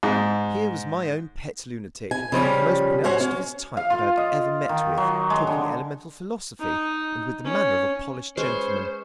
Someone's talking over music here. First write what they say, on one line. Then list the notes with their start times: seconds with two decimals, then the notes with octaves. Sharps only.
Here was my own pet lunatic--the most pronounced of his type that I had ever met with--talking elemental philosophy, and with the manner of a polished gentleman.
0.03 G#2
2.11 G#5
2.32 C#3 F3 G3 C#4
3.04 G#2 F#4 C5 C#5 G#5
3.21 C#4
3.77 F5
3.90 F4
4.17 D#5
4.69 D#3
4.97 F#3
5.30 G#3
5.47 D3
6.59 D#4
7.44 C#4
8.37 G#3 C#4 B4 C5